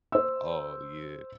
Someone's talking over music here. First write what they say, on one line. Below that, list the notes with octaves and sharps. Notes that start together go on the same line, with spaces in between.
Oh yeah.
C5 E6